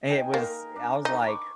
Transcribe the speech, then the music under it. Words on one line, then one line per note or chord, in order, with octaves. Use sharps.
It was I was like,
D#4 G5 G#5
A#3 A#4
D4
D#4
B5 C#6 D6